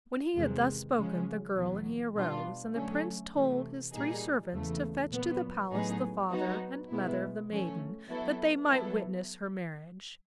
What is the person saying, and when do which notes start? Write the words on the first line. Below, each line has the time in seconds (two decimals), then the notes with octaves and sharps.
When he had thus spoken the girl and he arose, and the Prince told his three servants to fetch to the palace the Father and Mother of the Maiden, that they might witness her marriage.
0.35 E2 C3 D#3 G#3 C4
0.95 C#3 F3 G#3 C#4
1.54 E2 B2 F#3
2.15 B2 G3 B3 D4 F4
2.74 D3 F#3 A3 C#4
3.33 C3 E3 A3
3.93 A#2 G3 A#3 D#4 G#4
4.52 E2 C#3 E3 A3
5.11 A#2 F#3 B3
5.71 A2 F#3 B3 D#4 G#4
6.30 F#3 B3 D#4 F#4
6.90 B2 G#3 B3 E4
7.49 F3 A3 C#4
8.08 F#3 B3 E4 A4
8.67 F#3 B3 E4 A4